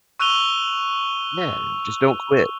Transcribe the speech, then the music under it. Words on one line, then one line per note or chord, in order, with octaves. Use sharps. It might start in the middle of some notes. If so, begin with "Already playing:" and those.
Yeah. Just don't quit.
C#6 E6 F#6 D#7 F7 G7